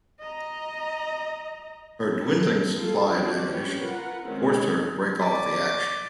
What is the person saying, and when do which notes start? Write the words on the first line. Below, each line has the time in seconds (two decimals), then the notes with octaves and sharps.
Her dwindling supply of ammunition forced her to break off the action.
0.20 D#5 A#5
2.12 A4 A#4
2.72 A#3 F4 A4
3.09 F3 D4 F4 F#4 D5
3.48 C#4 G4 B4 C#5
3.79 F4 A#4 B4 F#5
4.23 D#3 G#3 C4 C#4
5.20 D5 C#6 D6 A6 B6